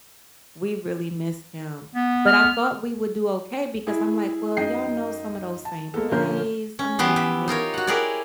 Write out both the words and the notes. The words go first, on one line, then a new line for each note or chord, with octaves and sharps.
we really missed him. But I thought we would do okay because I’m like, well, y’all know some of those same plays. I’m like, can they
B3
F6
E4 G#4
F#2 D#4 D#5 G5 C7
A5
G#3 A#3 B3 A4
A#1 D3 A#3 C#4 A#4 G6
C#4
E3 B3 G4 A5 C6
G4 E5
D#4 F4 A#4 C#5
F#4 F#5
E4 G4 G#4 A#4 C#5 D5